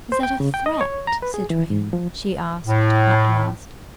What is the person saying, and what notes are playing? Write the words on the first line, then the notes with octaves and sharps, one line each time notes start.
"Is that a threat, citoyen?" she asked at last.
C5
G5
C#3
G5
D#5
C#5
A#5
B4
G#4
E3
G#2
F3
A2